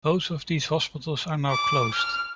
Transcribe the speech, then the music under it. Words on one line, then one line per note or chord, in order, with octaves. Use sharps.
Both of these hospitals are now closed.
D6
F6